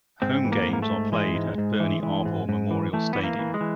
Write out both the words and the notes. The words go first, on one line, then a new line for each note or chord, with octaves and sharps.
Home games are played at Bernie Arbour Memorial Stadium.
G#2 C4
E3
A#3
G#2
A#3
A3
G#2
E3 G#3
G#2
G#2
E3
E3
G#2
G#2
E3
E3 A3
E3 B3
A#3
E3
G#3
E3